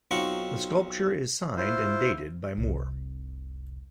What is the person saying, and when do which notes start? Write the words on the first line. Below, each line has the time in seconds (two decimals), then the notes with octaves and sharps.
The sculpture is signed and dated by Moore.
0.11 B1 C4 D#4 F4 F#5 C#6
1.57 E4 F4 C5
2.57 F1 C2